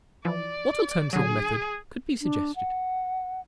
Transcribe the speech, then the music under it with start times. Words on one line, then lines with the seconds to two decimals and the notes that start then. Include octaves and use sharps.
What alternative method could be suggested?
0.25 E3 F3 D5
1.13 D3 F#3 G#4
2.21 D4
2.56 F#5